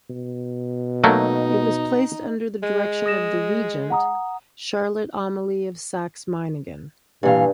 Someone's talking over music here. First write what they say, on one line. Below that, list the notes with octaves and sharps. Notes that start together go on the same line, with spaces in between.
It was placed under the direction of the Regent, Charlotte Amalie of Saxe-Meiningen.
B2
F#3 A3 A#3 D#4
G#3
D#6 A#6 E7
F#5 A#5 D#6
G2 A#2 E3 F5